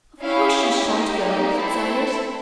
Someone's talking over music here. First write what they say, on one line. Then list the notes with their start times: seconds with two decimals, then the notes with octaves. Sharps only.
"Of course she shan't go," said Saunders.
0.21 C#4 E4 G4 F5
0.88 A#3 D#4 G4
1.21 D5
1.54 C4 E4 A4